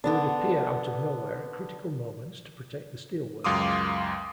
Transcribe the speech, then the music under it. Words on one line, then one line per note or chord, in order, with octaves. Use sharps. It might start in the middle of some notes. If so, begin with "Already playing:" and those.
He would appear out of nowhere at critical moments to protect the steel workers.
D3 B3 D4
C#2 F#2 F5 C6 D6 D#6